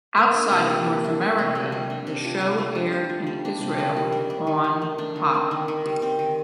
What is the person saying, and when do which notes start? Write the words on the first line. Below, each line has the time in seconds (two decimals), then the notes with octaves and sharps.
Outside of North America, the show aired in Israel on Hop!
0.17 A#3
0.34 D4
0.52 C3
0.70 F3
0.86 A#3
1.04 D4
1.21 D4
1.38 C3
1.55 C3
1.72 G3
1.90 D4
2.07 C3
2.25 F4
2.41 A3
2.58 A3
2.75 D4
2.93 F4
3.09 A3
3.27 G3
3.45 D4
3.61 C3
3.79 D#3
3.96 G3
4.12 D4
4.30 D4
4.47 D#3
4.64 D#3
4.82 A3
4.98 D4
5.16 D#3
5.34 C4
5.51 D#3
5.68 D#3
5.86 G3
6.02 C4
6.19 D#3